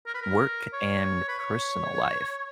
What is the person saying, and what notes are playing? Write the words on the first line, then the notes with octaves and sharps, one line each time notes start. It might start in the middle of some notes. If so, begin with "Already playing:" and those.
work and personal life.
A#4
B4
A#4
C#5
B4
C#5